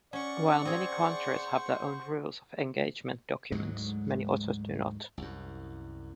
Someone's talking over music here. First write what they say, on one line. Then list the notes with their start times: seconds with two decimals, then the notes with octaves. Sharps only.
While many countries have their own rules of engagement documents, many others do not.
0.13 C#4 D5 F#5 C#6
0.65 C4 G#4 C5
3.52 D2 G#2 F#3 G#3
5.18 C2 F#2